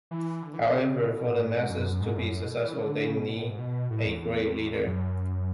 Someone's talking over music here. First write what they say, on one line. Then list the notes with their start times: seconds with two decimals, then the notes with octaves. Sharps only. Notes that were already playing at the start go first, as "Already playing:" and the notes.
However, for the masses to be successful, they need a "Great Leader".
0.11 E3
0.42 D3
0.54 E3
0.64 D3
0.75 C#3
1.06 B2
1.16 B2
1.27 A2
1.37 G#2
1.69 F#2
1.80 F#2
1.91 F#2
2.01 G#2
2.16 F#2
2.33 F#2
2.43 B2
2.64 E3
2.74 C#3
2.80 D3
2.96 D3
3.07 C#3
3.17 B2
3.27 B2
3.37 A2
3.48 G#2
3.58 B2
3.90 A2
4.07 E2
4.22 E2
4.86 F#2